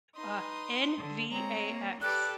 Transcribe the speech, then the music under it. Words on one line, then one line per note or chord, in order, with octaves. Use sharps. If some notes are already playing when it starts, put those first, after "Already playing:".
Uh, N-V-A-X.
D#4 B4 C6 D#6
D3
G#3 C4 C#5 A#5
A#3
G4 A4 B4 D5 F#6